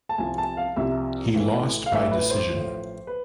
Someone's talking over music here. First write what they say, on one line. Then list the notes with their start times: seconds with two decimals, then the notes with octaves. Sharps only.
He lost by decision.
0.09 A5
0.18 C2 C3 F3 G#5
0.38 A5
0.57 F5
0.76 C2 C3 F3 E5
1.34 A1 A2 E3
1.86 F5
1.92 A1 A2 E3 E5
2.11 B4
2.30 C5
2.49 A1 A2 F3
3.07 B4